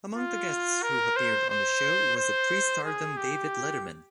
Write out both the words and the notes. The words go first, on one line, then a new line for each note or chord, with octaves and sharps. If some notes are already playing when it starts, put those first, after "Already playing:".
Among the guests who appeared on the show was a pre-stardom David Letterman.
F4
A#4
C5
C5
C5
G#4
G4